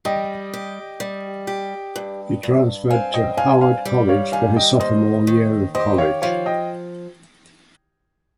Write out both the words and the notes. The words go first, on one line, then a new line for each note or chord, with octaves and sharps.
He transferred to Howard College for his sophomore year of college.
G3 D#5 G5
G4
G3
G4
G2
G2
C4 F5 G#5
D#5 G5
G2 F5 G#5
F5 G#5
G3
C#5 F5
D#3 F5 G#5
D#5 G5
D#2 C5 D#5
D#3
G4 C5 D#5
C#5 F5
F3 C#5 F5
D#5 G5